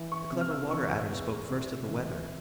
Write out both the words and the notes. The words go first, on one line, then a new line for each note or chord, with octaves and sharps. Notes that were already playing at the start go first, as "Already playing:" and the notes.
The Clever Water-Adder spoke first of the weather.
Already playing: E3
C#6
C3
F6
E6
E3 C#6
E2
C3
E3